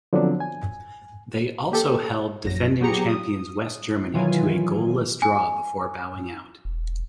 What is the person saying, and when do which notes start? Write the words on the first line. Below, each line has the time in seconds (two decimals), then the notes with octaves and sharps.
They also held defending champions West Germany to a goalless draw before bowing out.
0.13 D3 F3 F#3 B3 C4 D4
0.40 G#5
1.72 A#3 G4 A4
2.44 A#1 F#2 A#6
2.80 F#3 B3 G4 G#4 A#5 C#7
3.08 D#6
4.13 B2 D#3 E3 F#3 F4 G#5
5.22 G#5
6.65 E1